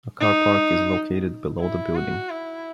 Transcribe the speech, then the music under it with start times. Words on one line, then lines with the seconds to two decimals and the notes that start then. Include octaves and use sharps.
A car park is located below the building.
0.20 D#4
1.60 E4
1.95 F#4
2.30 E4